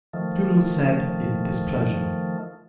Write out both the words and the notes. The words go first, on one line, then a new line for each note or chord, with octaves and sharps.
Tzu-lu said in displeasure.
D#3 F3 A3